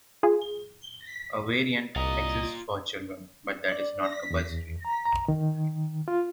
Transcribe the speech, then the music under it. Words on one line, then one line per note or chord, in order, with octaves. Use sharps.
A variant exists for children, but that is not compulsory.
F4 G#4
C2 F4 D#5 A#5
D5
E2
A#5
A#5
D#3
F4